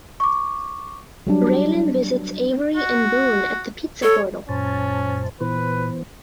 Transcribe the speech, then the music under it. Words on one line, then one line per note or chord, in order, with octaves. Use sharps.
Raylan visits Avery and Boon at the Pizza Portal.
C#6 D6
F#3 G3 D4
F#4
A4 C#5
F#2 A#2 C#4 C5 A5
A#2 E3 B3 B4 C5